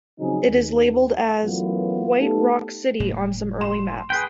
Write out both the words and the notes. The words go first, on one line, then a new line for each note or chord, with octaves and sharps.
It is labelled as "White Rock City" on some early maps.
C#3 F3 F#3 C4 D#4 G#4
D#2
F#2 E3 F#3 A3 B3 F4
A3 B3 D#4 G4 A4
F#1 A2 A#3
C6 E7
G#4 B4 G5